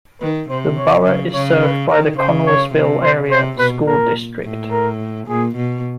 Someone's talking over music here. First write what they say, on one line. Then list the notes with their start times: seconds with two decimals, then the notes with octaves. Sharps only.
The borough is served by the Connellsville Area School District.
0.21 D#3 B4
0.50 C3 C5
0.77 C#5
1.05 C#3
1.34 C#3 C#5
1.62 B4
1.90 D#3 A#4
2.18 C#3 C5
2.46 C#5
2.74 C3
3.02 C5
3.31 C3 C5
3.58 B2 B4
3.87 A#2 A#4
4.44 A2
4.71 A#4
5.28 A#2 G#4
5.56 B2